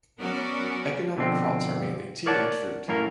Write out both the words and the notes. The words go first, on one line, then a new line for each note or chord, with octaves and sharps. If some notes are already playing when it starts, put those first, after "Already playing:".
Economic crops are mainly tea and fruit.
F#3 B3 C#4 F#4 A#4 D5
B2 D3 F3 C4
A#4 C#5 D5 F#5 A5
F#2 A2 A#3 A#4